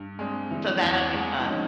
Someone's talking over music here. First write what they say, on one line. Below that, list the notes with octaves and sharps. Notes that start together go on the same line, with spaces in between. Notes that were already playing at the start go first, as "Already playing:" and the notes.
So that'll be fun.
Already playing: G2
G#3 C4 D4
E3
E2
G#3
E4
F3 C#4 D#4